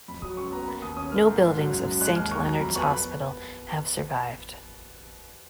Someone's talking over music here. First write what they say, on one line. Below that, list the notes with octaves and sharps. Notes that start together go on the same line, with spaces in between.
No buildings of Saint Leonard's hospital have survived.
F2 B5
F#3 D#6
C#2 C#6
B3 A#5
A#3 B5
D#2 D#6
C#4 D#6
A#3 F6
G#2
G#2
F#3
F#2
F#2
G#3 F#6
D#2 F6
D#2 C#6
F#3 A#5
F2 B5
B3 C#6
B3 B5